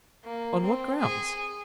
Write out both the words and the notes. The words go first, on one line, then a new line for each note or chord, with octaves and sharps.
"On what grounds?"
A#3
C4
G#4